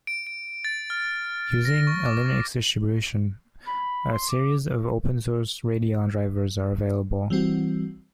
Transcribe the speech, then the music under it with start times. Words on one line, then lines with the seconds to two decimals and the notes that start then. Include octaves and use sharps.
Using a Linux distribution a series of open source Radeon drivers are available.
0.07 D7
0.27 D7
0.65 A6
0.90 F6
1.65 A#6
1.87 C#6
2.06 D6
3.67 B5
4.12 C6
4.29 D6
7.30 E3 G3 C4 F#4